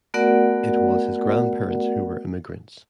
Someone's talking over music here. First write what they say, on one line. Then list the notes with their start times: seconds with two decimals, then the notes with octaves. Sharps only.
It was his grandparents who were immigrants.
0.14 A3 B3 F#4 A#4 D5 F#5